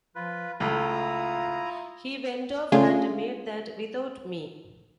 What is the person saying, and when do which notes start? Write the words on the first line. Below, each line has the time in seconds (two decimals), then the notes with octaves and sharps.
He went off and made that without me.
0.16 F3 F4 B4
0.60 C#2 A3 E4 F4 A#5 D#6
2.72 C#3 A3 C#4 D4 F4 G#4